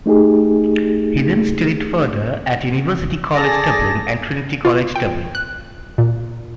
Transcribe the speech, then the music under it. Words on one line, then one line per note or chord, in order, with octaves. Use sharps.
He then studied further at University College, Dublin and Trinity College, Dublin.
A3 D#4 G4 G#4
G#4 A4 D5 A5 A#6
F4
G5
F#6
A#2